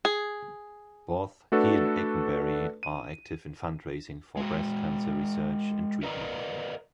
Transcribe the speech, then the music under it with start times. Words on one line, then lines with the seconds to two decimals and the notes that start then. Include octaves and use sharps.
Both he and Eikenberry are active in fund-raising for breast cancer research and treatment.
0.05 G#4
1.52 A3 D4 F#4 A4 B4
2.83 D#7
4.37 G#3 F#4
6.03 A#4 B4 D5 D#5 A#5